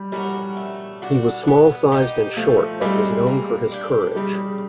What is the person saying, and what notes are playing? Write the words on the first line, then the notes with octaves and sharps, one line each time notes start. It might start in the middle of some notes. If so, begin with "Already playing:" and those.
He was small-sized and short but was known for his courage.
Already playing: G3
G3 C#4 F#4 A#4
A3
D4 F#4
B3
D#4 G4
F3 A3
G3 G#3 C4
A#3
D4 G4
C#3 G3